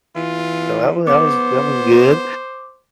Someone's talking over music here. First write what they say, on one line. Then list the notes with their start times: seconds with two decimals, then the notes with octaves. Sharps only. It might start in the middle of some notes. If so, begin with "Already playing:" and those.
so that wa that was that was good,
0.16 E3 F4
1.07 B3 C5 D6